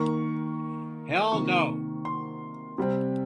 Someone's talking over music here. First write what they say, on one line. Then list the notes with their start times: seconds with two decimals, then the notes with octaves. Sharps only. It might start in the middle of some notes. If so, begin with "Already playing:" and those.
Hell no!
Already playing: D#3 A#3 C#6
1.32 C3 D#3 A#3 C#6
2.05 C6
2.78 C3 G3 C4